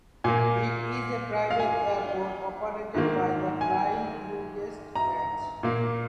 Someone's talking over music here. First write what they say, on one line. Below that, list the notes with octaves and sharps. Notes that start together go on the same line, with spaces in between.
It is a private airport operated by the Flying U Guest Ranch.
A#2 A#3 G#5
F5
G#5
G#2 D#3 A#3
G#5
A#5
A#2 A#3